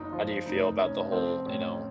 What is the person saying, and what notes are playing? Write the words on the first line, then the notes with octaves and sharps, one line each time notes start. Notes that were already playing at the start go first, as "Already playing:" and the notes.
how do you feel about the whole, you know,
Already playing: F#1 F#3 D#4
F3 F4
F1 D#4
F1 C#4
F3 C4
A1 C#4